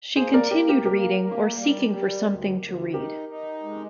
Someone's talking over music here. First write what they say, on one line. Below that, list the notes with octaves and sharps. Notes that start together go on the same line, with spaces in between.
She continued reading, or seeking for something to read.
A#3 G#4 C5
A#4 D5
A#3 G4 A#4
G4 A#4
A#3 G4 A#4
A#3
G3
G3
D2
D2
D#4 G4 A#4
D#4
G#3